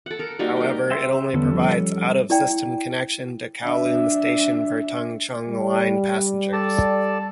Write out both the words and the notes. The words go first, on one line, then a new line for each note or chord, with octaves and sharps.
However, it only provides out-of-system connection to Kowloon Station for Tung Chung Line passengers.
A4 F#5
A4 A#4
G3 A#3 D#4 F#4
A#4 G5
G4 E5 C6
E2 D3 G3 B3 C#4 A4
F3
E4 D5 G5
D4 E5
G3
A4 D5 A5